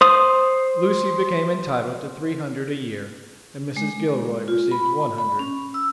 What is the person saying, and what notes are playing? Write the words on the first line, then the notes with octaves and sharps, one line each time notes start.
Lucy became entitled to three hundred a year, and Mrs. Gilroy received one hundred.
C5 D#6
G#3
F4
B5
B5
C#4
E6